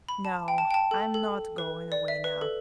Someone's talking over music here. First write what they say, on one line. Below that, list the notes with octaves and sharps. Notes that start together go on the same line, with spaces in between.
"No, I'm not going away now."
B5
A5
G5
A5
G5
A5
A4
A4
B4
D5
E5
B4
A4